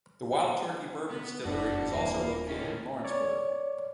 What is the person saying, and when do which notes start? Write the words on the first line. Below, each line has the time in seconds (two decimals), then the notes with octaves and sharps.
The Wild Turkey bourbon distillery is also located in Lawrenceburg.
1.11 B3
1.45 F1 F#2 B3 D4 F#4
1.92 D#1 E3 A#3
2.48 D3 D#3 C#4
3.05 C#5 D5